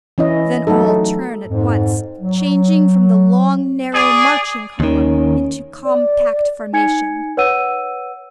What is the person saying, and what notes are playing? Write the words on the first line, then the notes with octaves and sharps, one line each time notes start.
Then all turn at once, changing from the long, narrow marching column into compact formation.
E3 C#4 E4 D#5
F#3 A3 D#4 A4
F2 G#2
F#3
G#4 D5
D#2 D#3 C#4
D5
D#4 G#5 G#6 C#7
B4 C#5 F#5 E6 D#7